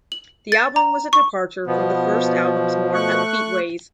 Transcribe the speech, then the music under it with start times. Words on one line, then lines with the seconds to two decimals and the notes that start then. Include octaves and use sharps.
The album was a departure from the first album's more upbeat ways.
0.12 F#7
0.52 A6
0.76 A#5
1.13 C#6
1.67 B2 F3 B3
2.94 A3 C#6 F#6